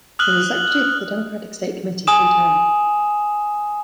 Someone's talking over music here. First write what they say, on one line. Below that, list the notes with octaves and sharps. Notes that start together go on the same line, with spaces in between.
He was the secretary of the Democratic State committee three times.
D#6 F6 F#6 F#7 G7
G#5 D#6 E7